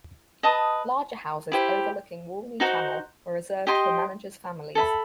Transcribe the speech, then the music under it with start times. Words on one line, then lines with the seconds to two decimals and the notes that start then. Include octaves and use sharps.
Larger houses overlooking Walney Channel were reserved for managers' families.
0.43 B4 D#5 A5 D#6
1.52 E4 G4 C5
2.60 D#4 F#4 C5
3.67 G4 D#5 G5 C6
4.75 A4 E5 B5